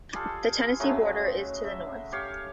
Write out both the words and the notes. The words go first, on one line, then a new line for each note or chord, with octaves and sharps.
The Tennessee border is to the north.
G3 F4 G#4 A4
C#3 F#3 G#3 A3
E5
G4 C#5 F5